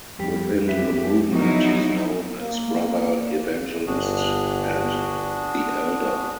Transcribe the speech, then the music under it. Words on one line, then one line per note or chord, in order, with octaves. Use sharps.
Within the movement, he is known as "Brother Evangelist" and "the Elder".
F2 G3 G4
F#2 G4 B4 E5
F3 F#3 B3 D#4 E4 F#4
A#3
G1 D4 F#4 G#4